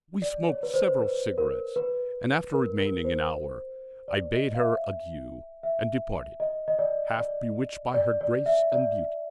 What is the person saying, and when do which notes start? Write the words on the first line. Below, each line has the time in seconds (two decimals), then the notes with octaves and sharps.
We smoked several cigarettes, and, after remaining an hour, I bade her adieu and departed, half bewitched by her grace and beauty.
0.22 D5
0.48 C#5
0.63 B4
0.74 C5
0.99 B4
1.38 A#4
1.76 B4
2.53 A#4
2.79 A#4
3.05 C5
4.08 D5
4.34 D#5
4.55 F5
4.59 E5
5.63 E5
6.40 D#5
6.68 D#5
6.79 D5
7.17 D5
7.94 D5
8.21 D5
8.46 E5
8.72 D5